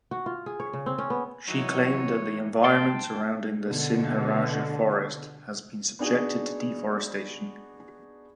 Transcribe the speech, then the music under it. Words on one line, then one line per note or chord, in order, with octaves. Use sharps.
She claimed that the environment surrounding the Sinharaja forest has been subjected to deforestation.
F#4
F4
G#4
C#5
C#3
C4
C#4
B3
E3 F#3 D#4 C#5
G5 A5 C6
B2 D3
B3 D4 D#4 F#4 G#4